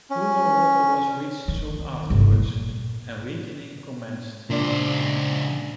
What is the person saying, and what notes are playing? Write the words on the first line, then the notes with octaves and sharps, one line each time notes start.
Cooler water was reached soon afterwards, and weakening commenced.
C#4
D#3
G1 C3
A#2
C#2 A#2 D4 C5 D5